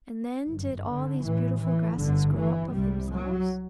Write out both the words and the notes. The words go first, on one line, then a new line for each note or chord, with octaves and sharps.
And then did all these beautiful grasses grow up of themselves?
G1 F#2
D3
A1 A2 E3
E3
G1 G2 D3
E3
C2 C3 G3
F#3